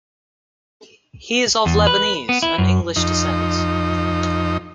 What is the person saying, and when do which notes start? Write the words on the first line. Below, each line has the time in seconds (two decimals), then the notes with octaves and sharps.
He is of Lebanese and English descent.
1.66 E2
1.87 B4
2.29 B3
2.42 E4
2.58 F#2
2.96 F2 D#4